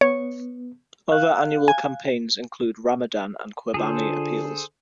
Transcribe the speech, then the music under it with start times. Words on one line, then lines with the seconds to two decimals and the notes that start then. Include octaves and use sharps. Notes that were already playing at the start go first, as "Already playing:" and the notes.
Other annual campaigns include Ramadan and Qurbani appeals.
0.01 B3 C#5
1.11 F5 F#6
1.68 G#5
3.74 D3 F4 G#4 A4 C5